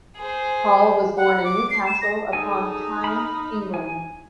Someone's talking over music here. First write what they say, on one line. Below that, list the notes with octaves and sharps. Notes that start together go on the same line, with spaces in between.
Hall was born in Newcastle upon Tyne, England.
G#4 C5
F#5
D6
C7
E7
A#6
D#4 G#4 A4 G#5
B5 F6
G#5